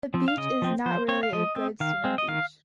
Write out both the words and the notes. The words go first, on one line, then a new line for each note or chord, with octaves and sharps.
The beach is not really a good swimming beach.
F3 C4
F5
C#3 D#5
F3 C4
F3 C5
C4 C#5
F5
F3 D#5
C4
D#3 F5
G#3 C4
D#5
D#3 F5